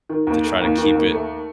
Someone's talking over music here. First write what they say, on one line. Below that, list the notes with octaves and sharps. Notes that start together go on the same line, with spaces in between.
to try to keep it,
D#3
D#2
A3
D#2
D#3
D#2
A3